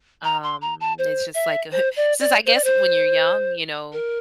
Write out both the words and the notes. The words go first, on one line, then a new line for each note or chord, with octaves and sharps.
um, it's just like a hu since I guess when you're young, you know,
A#5
C6
A#5
A5
C5
E5
C5
D5
D5
C5
D5
C5
A#4